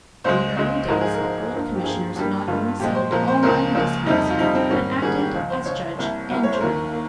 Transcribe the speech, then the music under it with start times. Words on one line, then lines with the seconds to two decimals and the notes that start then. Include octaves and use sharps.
In the early days gold commissioners not only settled all mining disputes, but acted as judge and jury.
0.24 C#2 C#3 G#3 C5
0.56 C#2 C#3 G#3
0.88 G#2 F3 G#3 A#4
1.01 G#4
1.14 A#4
1.20 G#2 F3 G#3
1.52 G2 F3 A#3
1.76 G4
1.84 G2 F3 A#3 G#4
2.15 G2 G3 A#3 G4
2.48 G2 G3 A#3 F4
2.79 A#2 F3 G#3 G4
2.95 C5
3.11 A#2 F3 G#3 A#4
3.28 C5
3.43 C#2 C#3 F3 A#3 A#4
3.75 C#2 C#3 F3 A#3
4.06 F2 C3 G3 D#4
4.30 F4
4.39 F2 C3 G3 D#4
4.55 C4
4.70 G#2 D#3 G3 A#3 C#4
5.02 G#2 D#3 G3 A#3 G#4
5.18 G4
5.34 C#2 C#3 F3
5.50 C5
5.66 C#2 C#3 F3 C#5
5.97 C2 C3 G3 A#3
6.30 C2 C3 G3 A#3
6.43 C#5
6.53 C5
6.61 D#2 D#3 A#3 A#4
6.92 A#3